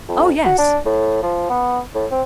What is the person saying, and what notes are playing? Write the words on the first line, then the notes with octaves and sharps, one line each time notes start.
Oh, yes.
F2
F#4
D4
A2
F3
B3
A2
C4